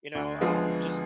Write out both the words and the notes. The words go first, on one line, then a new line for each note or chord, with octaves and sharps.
you know, um, just
D2
D3 F3 G#3 B3